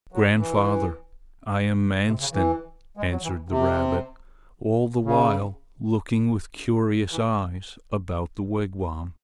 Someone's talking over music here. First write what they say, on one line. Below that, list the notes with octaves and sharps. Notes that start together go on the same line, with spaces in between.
"Grandfather, I am Manstin," answered the rabbit, all the while looking with curious eyes about the wigwam.
F#3
E3
C3
C#3
E3
G#3
F#3
E3
C3
C#3
E3